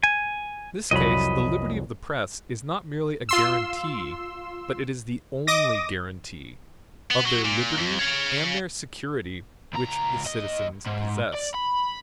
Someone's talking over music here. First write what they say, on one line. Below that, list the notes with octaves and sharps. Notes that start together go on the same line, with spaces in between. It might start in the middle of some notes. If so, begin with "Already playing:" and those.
In this case the liberty of the press is not merely a guarantee, but it is the only guarantee, of their liberty and their security which the citizens possess.
G#5
C2 F2 F#3 D#5 B5
F4 C6 E6
D#5 D6 D#6 A#6
B3
F#3
A#2
F2
C#5 F5
C#2 A#5
D#2 D#5
G#2
D5
B5